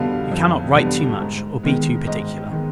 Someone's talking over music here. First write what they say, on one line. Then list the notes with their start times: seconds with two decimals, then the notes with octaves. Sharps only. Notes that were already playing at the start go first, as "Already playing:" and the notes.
You cannot write too much, or be too particular.
Already playing: F2 D3 G3 B3 F5
0.32 F2
0.75 D3 G3 B3
1.20 G#2
1.63 D#3 G#3 B3
2.07 G#2 D#5
2.52 D#3 G#3 B3